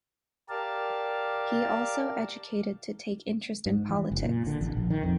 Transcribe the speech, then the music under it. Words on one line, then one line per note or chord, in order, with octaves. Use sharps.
He also educated to take interest in politics.
G4 A#4 D5 F5 A5
G#2
E3
F#1
A#2
D3
A1
A#1
D#3
F2